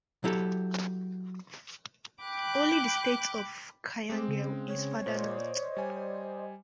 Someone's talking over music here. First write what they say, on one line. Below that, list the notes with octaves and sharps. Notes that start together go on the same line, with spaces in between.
Only the state of Kayangel is farther north.
F#3 E4 G4 A4
G5 B5 D6 F#6
G#3 C4 D6
C#3
C#5
A#2 C5 D5 D#5
G3 G#5